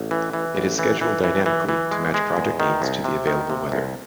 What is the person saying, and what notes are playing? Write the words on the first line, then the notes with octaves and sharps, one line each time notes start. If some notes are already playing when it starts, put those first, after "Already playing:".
It is scheduled dynamically to match project needs to the available weather.
Already playing: A1
E3
E3
A1
E3
E3
E3
E3
E3
G#3
G#3
E2
D#3
C2
C3
D#3
C3
C2